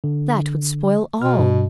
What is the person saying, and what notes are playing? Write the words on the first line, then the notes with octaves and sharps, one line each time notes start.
'That would spoil all.
D3
B2 F6
G2